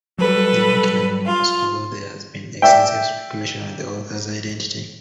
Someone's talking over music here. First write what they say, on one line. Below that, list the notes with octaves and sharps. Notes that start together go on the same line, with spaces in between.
The work is anonymous, although there has been extensive speculation on the author's identity.
F#3 G3 A4 B4
F4
D5 E5 G5